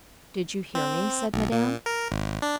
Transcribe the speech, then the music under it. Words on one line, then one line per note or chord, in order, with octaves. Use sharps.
"Did you hear me?" said Madame.
C4
B1
A#2
A#4
G#1
D4